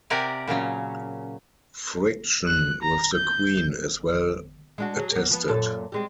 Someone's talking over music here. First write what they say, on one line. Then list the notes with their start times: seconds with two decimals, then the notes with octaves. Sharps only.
Friction with the Queen is well attested.
0.10 C3 G4 A#4 D5 F#5 G#5
0.48 A#2 C#3 F#3 C#4
2.47 F#6
2.83 A#5
3.13 G6
4.78 G#3 D4 F#4
4.97 F#3 G#4
5.12 A#3 B3
5.31 F3 B3
5.48 F#2 A#2 A4
5.92 G3 G#3 C4